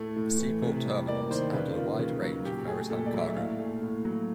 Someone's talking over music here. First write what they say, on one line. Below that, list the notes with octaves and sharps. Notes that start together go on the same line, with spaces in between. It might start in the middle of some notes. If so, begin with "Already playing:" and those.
Seaport terminals handle a wide range of maritime cargo.
Already playing: A2 A3
A2
E3
C3
G3
A#3 D5
D#3 C5
C#3 B4
A#3 F4
C#3
F#3
A#2 G4
A3 G#4
A#2 A4
D5
F#3
E5
A2 F5
A3
A2
F#3